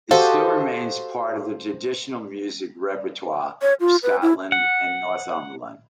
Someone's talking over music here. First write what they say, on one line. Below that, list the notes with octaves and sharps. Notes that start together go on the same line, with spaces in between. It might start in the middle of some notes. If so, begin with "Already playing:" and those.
It still remains part of the traditional music repertoire of Scotland and Northumberland.
F#4 G4 A4 C5 D#5 F5
C#5
F4
B4
E4
F#5